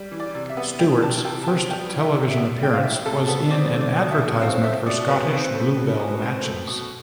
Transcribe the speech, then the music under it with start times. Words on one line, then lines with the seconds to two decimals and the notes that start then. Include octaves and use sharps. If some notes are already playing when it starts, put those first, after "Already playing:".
Stewart's first television appearance was in an advertisement for Scottish "Bluebell" matches.
Already playing: G3
0.12 E3
0.20 D5
0.35 C3
0.50 E5
0.57 B3
0.79 G3 G5
1.02 E3 A5
1.24 C3 G5
1.43 A5
1.48 B3 G5
1.70 G3 G5
1.92 E3
2.00 E5
2.15 C3
2.31 E5
2.38 B3
2.60 G3 G5
2.73 F5
2.83 E3 E5
3.06 C3 A4
3.28 B3 A4
3.51 C4 D5
3.74 A3
3.81 D5
3.96 B2
4.11 E5
4.18 B2
4.41 C4 F5
4.63 A3 E5
4.86 B2 D5
5.09 B2 B4
5.32 C4
5.55 A3
5.77 B2
5.99 B2
6.22 C4
6.44 A3
6.67 B2